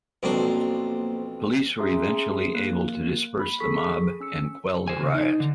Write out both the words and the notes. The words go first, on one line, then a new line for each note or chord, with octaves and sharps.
Police were eventually able to disperse the mob and quell the riot.
B1 F2 A#3 D4 C5
C#4 G#4 E5 A#5 C6
A#3 F#6
B5
G#4 A4 C#6 B6
C#4 E6 C#7
C5 G#5
C#3
D#4
D3